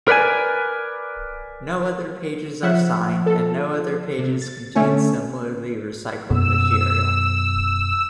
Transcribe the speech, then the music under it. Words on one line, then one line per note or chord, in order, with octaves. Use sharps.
No other pages are signed and no other pages contain similarly recycled material.
A#4 B4 D5 F#5 G#5
F3 E5 F#5
A4
C3
A6
D3 A3 C#4 C#5
F#2 B2 B3 E6